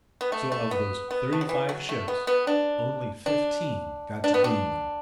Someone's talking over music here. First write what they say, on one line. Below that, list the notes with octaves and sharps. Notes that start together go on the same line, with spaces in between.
So of those thirty-five ships only fifteen got to Greenland.
B3
A3
A3
B3
B3
A3
F#3
E3
F#3
A3
B3
B3
D4
D4
D4
B3
D4